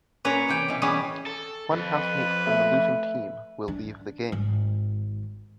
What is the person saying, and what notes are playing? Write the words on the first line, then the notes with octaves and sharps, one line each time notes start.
One housemate from the losing team will leave the game.
A#2 C#4 B4 C#5 A#5
C3 E3 G5
B2 E3
E3 G3 B3 C#4 G#4
A4
F2 B4
A3 E5
D4
G#1